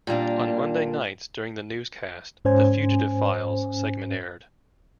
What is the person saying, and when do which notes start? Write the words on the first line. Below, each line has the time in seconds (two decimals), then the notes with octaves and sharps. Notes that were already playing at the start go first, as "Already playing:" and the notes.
On Monday nights during the newscast, the "Fugitive Files" segment aired.
0.07 A#2 G3 A#3 D4
2.45 G#2 C#4 C5 G#5